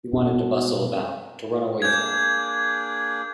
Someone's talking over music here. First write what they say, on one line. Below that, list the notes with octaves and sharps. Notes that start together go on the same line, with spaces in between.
He wanted to bustle about, to run away from it.
B2
A#3 D4 G#4 G6 G#6